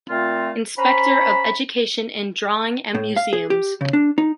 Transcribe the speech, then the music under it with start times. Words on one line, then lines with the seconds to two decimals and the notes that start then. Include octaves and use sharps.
Inspector of education in drawing and museums.
0.09 A#2 A3 C4 F4
0.78 C#4 C5 A#5 B5
2.95 A2
3.16 F5
3.33 G#4
3.50 G4
3.81 C#3
3.93 D4
4.18 D#4